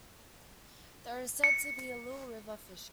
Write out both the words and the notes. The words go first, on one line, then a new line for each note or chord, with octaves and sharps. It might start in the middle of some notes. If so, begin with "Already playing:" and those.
There is said to be little river fishing.
C#7